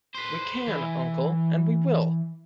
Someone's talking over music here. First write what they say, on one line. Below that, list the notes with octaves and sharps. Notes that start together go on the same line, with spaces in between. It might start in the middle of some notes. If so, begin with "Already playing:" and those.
We can, uncle, and we will!
B4 C5
E3